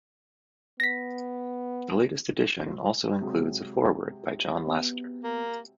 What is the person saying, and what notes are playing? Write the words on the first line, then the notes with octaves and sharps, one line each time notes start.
The latest edition also includes a foreword by John Lasseter.
B3 A#6 B6
C3 F#3 G#3
B3
A#3